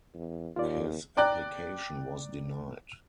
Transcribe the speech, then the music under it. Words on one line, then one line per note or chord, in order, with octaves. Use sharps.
His application was denied.
E2
D#2 F4 D5
D5 G5 A#5 F#6